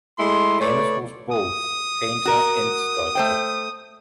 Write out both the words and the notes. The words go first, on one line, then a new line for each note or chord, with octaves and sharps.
Ames was both painter and sculptor.
G#3 A3 E4 C6
A3 B4 C#5 D5
D#6
F#4 A#4
A3 C5 G5